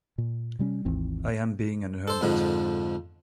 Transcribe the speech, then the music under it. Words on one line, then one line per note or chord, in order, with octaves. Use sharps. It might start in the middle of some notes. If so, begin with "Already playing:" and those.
I am being an hermit.
A#2
C3 G3 C4 C#4
G#1 D#2 E3 C4
A4 C5
F2 G#2 D3 F3